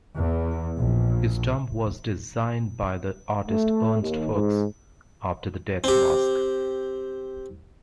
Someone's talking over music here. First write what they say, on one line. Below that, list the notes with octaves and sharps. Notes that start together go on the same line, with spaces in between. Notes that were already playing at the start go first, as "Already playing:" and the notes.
His tomb was designed by the artist Ernst Fuchs after the death mask.
E2
A#1
A3
D#2
G#2
C4 G4